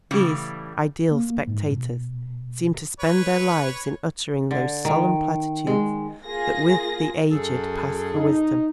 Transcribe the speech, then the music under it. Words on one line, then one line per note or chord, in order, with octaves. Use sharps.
These 'ideal spectators' seem to spend their lives in uttering those solemn platitudes that with the aged pass for wisdom.
A2 C#3 E3 G3 A3
A#3
G#2
B2
B4 C#5
D3
D#3
G#3
A#3 F4 G#4 A#6
F#2 G#4 A4
D#4